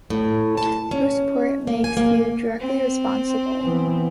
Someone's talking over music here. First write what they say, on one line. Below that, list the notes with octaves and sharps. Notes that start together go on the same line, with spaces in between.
Your support makes you directly responsible.
A2
A5
C#4
A#3
G#5
A#3
C4
E3 B3